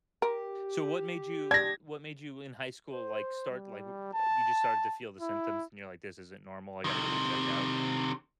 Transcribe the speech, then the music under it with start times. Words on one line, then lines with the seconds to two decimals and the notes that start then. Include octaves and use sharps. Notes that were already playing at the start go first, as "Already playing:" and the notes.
So, what made you eh, what made you in high school, like, start, like, w the a you just started to feel the symptoms, and you're, like, "This isn't normal. I gotta go get checked out?"
0.22 G4 A#4
1.51 D4 G#6 A#6
2.92 C5
3.50 G3
4.14 A5
5.21 E4
6.84 C3 D#3